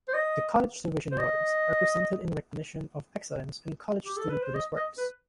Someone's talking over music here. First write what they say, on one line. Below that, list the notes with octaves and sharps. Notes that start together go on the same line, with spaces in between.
The College Television Awards are presented in recognition of excellence in college student-produced works.
C5
D#5
C5
D#5
G4
A4
B4
C5
D#5
D#5
B4